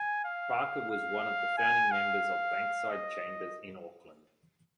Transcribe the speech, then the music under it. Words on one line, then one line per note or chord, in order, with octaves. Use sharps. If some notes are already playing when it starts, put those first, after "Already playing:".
Barker was one of the founding members of Bankside Chambers in Auckland.
Already playing: G#5
F5
F5
G#5
F5
D#5